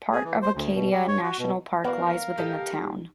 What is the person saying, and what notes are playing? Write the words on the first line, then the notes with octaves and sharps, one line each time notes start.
Part of Acadia National Park lies within the town.
G#4
E3
C5
D2
B2
G3
C#5
F#4
B2
E2 A#3 B3 F#4 A#4 D5 F5
G4 A4 D#5
D#4